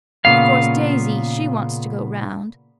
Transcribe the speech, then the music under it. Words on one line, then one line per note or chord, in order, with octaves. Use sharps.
Of course Daisy--she wants to go round.
A#2 C#3 B3 F5